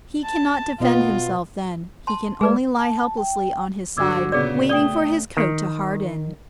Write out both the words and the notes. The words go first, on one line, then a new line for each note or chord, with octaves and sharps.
He cannot defend himself then; he can only lie helplessly on his side, waiting for his coat to harden.
A5
B2 B3 F4 D#5
A5 C6
G#3 G#4 B4 D5
A5
G5
G2 D3 F#4 D6 E6 G#6
A#2 C#3 B3 G#4 D5
A3 D5 G5 D#6 G7
D#3